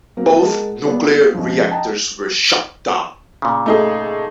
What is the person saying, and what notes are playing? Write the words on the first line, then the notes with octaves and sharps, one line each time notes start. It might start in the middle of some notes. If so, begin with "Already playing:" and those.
Both nuclear reactors were shut down.
F#3 A#3 C4 A#4
G#3 A#4 F#5 A5
G3 A#3 B3 C#5 D5
C#2 F3
D#5 F#5 G5 A5 A#5
A#2 C#3
A3 D#4 G#4